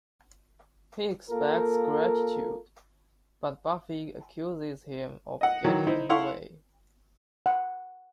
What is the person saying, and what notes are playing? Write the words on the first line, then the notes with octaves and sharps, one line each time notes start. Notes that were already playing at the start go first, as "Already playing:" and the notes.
He expects gratitude, but Buffy accuses him of getting in her way.
A#3 F4 A4 A#4
D#5 F#5
D#3 E3 F#3
D#4 E4 C5
E4 A4 F5 F#5 C6 C#6
F#5